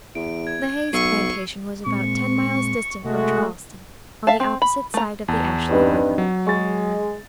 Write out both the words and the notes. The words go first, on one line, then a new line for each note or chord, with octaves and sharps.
The Hayes plantation was about ten miles distant from Charleston, on the opposite side of the Ashley River.
E2 D7
G#6
B1 C#6 E6 C7 D#7
A#2 G#3 C4 C#6
C3 G#3 A3 F#4
E5 F5 A5
C4
B5
A3 A#5
E2 A5
G2 C4 D#4 B4
F#3
G#3 C#6 A6